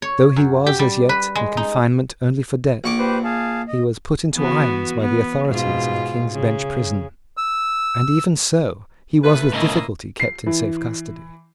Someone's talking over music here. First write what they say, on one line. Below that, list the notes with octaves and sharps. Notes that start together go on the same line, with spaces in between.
Though he was as yet in confinement only for debt, he was put into irons by the authorities of the King's Bench prison; and even so he was with difficulty kept in safe custody.
C#5
F#2
G4
G3
B4
G#3
D#4
A#1 C#6 D6
G4 B4 C5
G#4 F5 A5
D#5
E3 B3 F#4
B3
G#2 B2 F4
C#3
E6
D#2 A3 B4
A2 C#3 A#3 E4 D#5
C7
E3